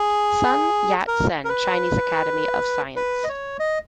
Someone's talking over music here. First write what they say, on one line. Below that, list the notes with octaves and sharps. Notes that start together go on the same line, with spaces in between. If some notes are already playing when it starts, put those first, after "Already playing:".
Sun Yat-Sen, Chinese Academy of Sciences.
Already playing: G#4
A#4
A#4
B4
B4
D#5
C#5
D#5